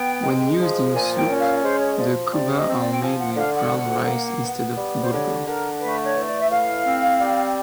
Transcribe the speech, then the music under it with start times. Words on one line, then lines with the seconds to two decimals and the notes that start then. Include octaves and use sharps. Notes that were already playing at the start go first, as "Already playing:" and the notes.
When used in soup, the "kubba" are made with ground rice instead of bulgur.
Already playing: B3 G5
0.23 G#3
0.59 F3
0.93 A#2 G#5
1.16 G5
1.28 C#4
1.40 F5
1.63 G#3 C5
1.80 C#5
1.97 F3 D5
2.32 C3 D5
2.56 D#5
2.68 C4
2.79 D5
2.92 G5
3.02 F3 G#5
3.19 F#5
3.37 D3 F5
3.54 F#5
3.72 D2
4.06 A#3
4.41 B3
4.76 G3
5.01 C5
5.11 D3 C#5
5.46 D3 A#4
5.80 A3 B4
6.04 C#5
6.15 E3
6.26 D5
6.42 E5
6.50 A2 F5
6.85 C4
7.20 G3